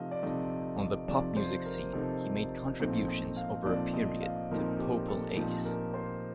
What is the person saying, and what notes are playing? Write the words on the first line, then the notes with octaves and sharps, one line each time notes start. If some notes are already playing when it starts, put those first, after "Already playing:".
On the pop music scene he made contributions over a period to Popol Ace.
Already playing: C3 F3 A3 D#4 D#5 F5
D5
C3 F3 A3 D#4 D#5
C3 F3 A3 D#4 D5
C5
A#4
C3 F3 A3 D#4 A4
A#2 F3 A3 C4 D#4 A4
D#5
F5
A#2 F3 A3 C4 D#4 D5
D#5
F5
A#2 F3 A3 C4 D#4 A#4
G4
A4
A#2 F3 A3 C4 D#4 A4
A#4
C5